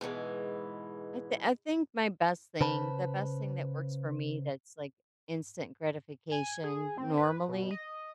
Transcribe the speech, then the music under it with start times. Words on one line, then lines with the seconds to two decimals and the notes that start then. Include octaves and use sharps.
I thi I think my best thing the best thing that works for me that's, like, instant gratification normally
0.01 G#2 B2 E3 G#3
2.61 C#3 B4 C5 A5 B5
6.31 G#5
6.64 G#4
6.98 C4
7.17 B4
7.49 B2
7.71 D#5